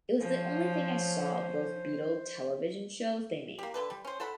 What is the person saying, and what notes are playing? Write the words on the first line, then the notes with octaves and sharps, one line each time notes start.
It was the only thing I saw of those Beatles television shows they made.
F3 C#4 C5
A#3 G4
D3 A4 B4
G3
C#4 C5
A4 E5 F#5 B5